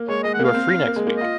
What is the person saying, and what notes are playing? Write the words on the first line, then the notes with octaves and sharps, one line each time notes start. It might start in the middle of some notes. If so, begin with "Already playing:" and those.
You are free next week.
Already playing: A#3
G#3 C#5
G#3 D#5
F#5
A#3 F5
C4
A#3
G#3
A#3
F4 D#5